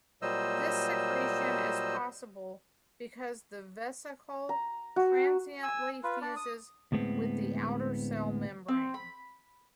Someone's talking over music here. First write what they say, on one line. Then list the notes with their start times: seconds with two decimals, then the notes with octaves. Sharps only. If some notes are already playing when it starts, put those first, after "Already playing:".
This secretion is possible because the vesicle transiently fuses with the outer cell membrane.
0.22 A#2 F#3 G3 C5 D#5 E6
4.49 A#5
4.96 F#4
5.63 G#5 E6
6.04 F4 B4
6.21 D4 D5
6.36 D#6
6.92 D2 A2 G#3 B3 C4
8.68 C4
8.94 B5